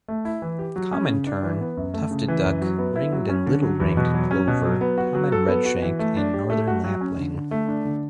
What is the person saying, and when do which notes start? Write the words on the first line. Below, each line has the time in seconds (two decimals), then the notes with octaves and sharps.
Common tern, tufted duck, ringed and little ringed plover, common redshank and northern lapwing.
0.08 A3
0.25 E4
0.42 E3
0.59 G4
0.76 F#3
0.93 C#4
1.10 C#3
1.27 D4
1.43 E3
1.61 B3
1.77 F#2
1.94 A3
2.11 C#3
2.28 E3
2.45 F#2
2.61 F#3
2.78 B3
2.96 E4
3.12 F#3
3.29 C#4
3.46 D3
3.63 F#3
3.80 E2
3.97 B2
4.14 F#3
4.31 C#4
4.47 B2
4.65 F#3
4.81 B3
4.98 F#4
5.15 F#3
5.32 A4
5.49 B3
5.65 F#4
5.82 E3
5.99 A3
6.17 D4
6.34 G4
6.50 A3
6.67 F#4
6.84 F#3
7.01 C#4
7.17 D3
7.35 D3
7.51 A3
7.68 D4
7.85 D3